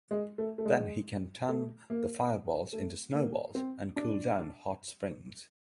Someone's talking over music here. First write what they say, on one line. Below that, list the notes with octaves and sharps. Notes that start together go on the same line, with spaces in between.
Then he can turn the fireballs into snowballs and cool down hot springs.
G#3
A3
A3
G#3
A3
A#3
A3
A#3
C4
D4